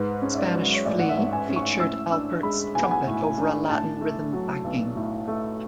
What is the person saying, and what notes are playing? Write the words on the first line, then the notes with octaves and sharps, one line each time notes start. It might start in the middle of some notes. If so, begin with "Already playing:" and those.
"Spanish Flea" featured Alpert's trumpet over a Latin rhythm backing.
Already playing: G#2 B4
C#4
E5
D5
F#3
C#5
A1 D5
F#5
E5
G#2
G#5
C#4
C#6
A2 E6
D4 E6
G#3 B5
B1 G#5
F#5
G#5
A2
D4
A2 A5
A3
F#3
B1
A2
A3